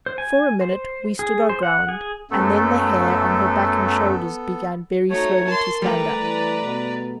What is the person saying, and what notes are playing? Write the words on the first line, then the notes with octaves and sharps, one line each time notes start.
For a minute we stood our ground, and then the hair on her back and shoulders began very slowly to stand up.
C5
G#5
C5
G#4
C5
F#5
G#4
F#2 A3 B3 A4
A3 D#4 F#4 C#5
A#4 A5 C6
G3 A3 G4 B4 D5 A#5
E3
B2